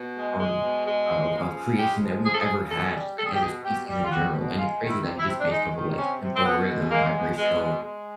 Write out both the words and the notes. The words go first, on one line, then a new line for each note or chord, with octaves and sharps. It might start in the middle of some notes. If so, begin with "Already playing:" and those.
form of of creation that we've ever had, just like as a species in general, and it's crazy that it's just based off of like tempo, rhythm, vibrational,
Already playing: B2
G#3
G#3
B2
G#3
F3
C#3
C#3
G#3 G4
F3
C#3 G#4
A4
G#4
C#3
B2 A4
G3
G3 A4
G#4
G4
B2 G#4
B2 G4
G3
F4
G3 F#4
B2
G#3 F4
D#3
E4
C3
E4
C3
D4
G#3 D#4
D#3
C3 C#4
C3
C4
B2 B3
G#3
G#3 A#3
B2
B2 G#3
G#3
G#3